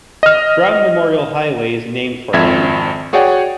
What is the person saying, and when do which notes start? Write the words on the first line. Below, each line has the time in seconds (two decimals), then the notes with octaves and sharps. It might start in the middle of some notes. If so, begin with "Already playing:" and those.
Brown memorial highway is named for him.
0.23 D#5 F6
2.33 G#1 F2 E5 G#6
3.13 F#4 G#4 C#5 D5 F#5 G5